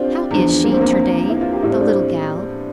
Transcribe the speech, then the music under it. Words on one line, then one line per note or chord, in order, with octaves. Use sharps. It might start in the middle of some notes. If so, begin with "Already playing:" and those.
"How is she, ter-day--the little gal?"
Already playing: C4 D4 F4 G4
E2 D3 F3
A#3
C4
A#3
C4
E4
F4
G4
A2 G3 E4
C4
D4
C4